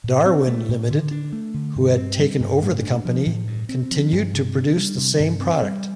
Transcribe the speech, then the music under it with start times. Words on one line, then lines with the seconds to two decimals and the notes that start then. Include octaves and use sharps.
Darwin Limited, who had taken over the company, continued to produce the same product.
0.04 A2
0.26 C4
0.47 A3
0.68 A2
0.90 D3
1.11 D4
1.33 A3
1.54 D3
1.76 G2
1.97 C4
2.19 G3
2.40 G2
2.62 A2
2.83 D4
3.05 F3
3.26 A2
3.47 G2
3.69 C4
3.91 F3
4.12 G2
4.33 C3
4.55 D4
4.76 G3
4.97 C3
5.19 G2
5.41 C4
5.62 G3